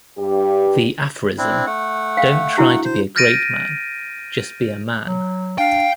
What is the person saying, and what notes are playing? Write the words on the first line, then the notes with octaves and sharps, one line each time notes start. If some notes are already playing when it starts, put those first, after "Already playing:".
The aphorism Don't try to be a great man, just be a man.
G2 G4
C4 D4 E4
A3 F#5
F5 G5
D4 E4 F#4
C5
F6 G6 A6 A#6 D7 D#7
F#3
D4 F5 G5